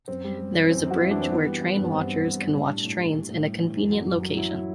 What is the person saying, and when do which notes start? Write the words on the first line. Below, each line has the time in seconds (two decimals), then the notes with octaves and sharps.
There is a bridge where train watchers can watch trains in a convenient location.
0.08 F#2 C4
0.24 G3
0.39 G3
0.54 E3
0.70 F#2 C4
0.86 F#2
0.91 F#4
1.00 F#2 E4
1.11 E3 D4
1.21 C4
1.31 E3 B3
1.46 G3
1.61 E3
1.77 G2
1.84 B3
1.92 G2 C4
2.08 G2
2.23 G2
2.38 G2
2.54 G3 D4
2.69 A2
2.85 A2
2.99 G3
3.14 A2
3.30 A2
3.45 G3
3.60 E3
3.76 F#2
3.92 F#3
4.06 F#2
4.22 F#3
4.37 F#3 E4
4.53 F#3